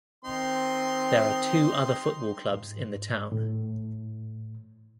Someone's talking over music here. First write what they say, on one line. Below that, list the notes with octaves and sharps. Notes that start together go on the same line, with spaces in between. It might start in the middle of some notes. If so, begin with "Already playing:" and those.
There are two other football clubs in the town.
D#3 C4 D#4 C6
G#2
A2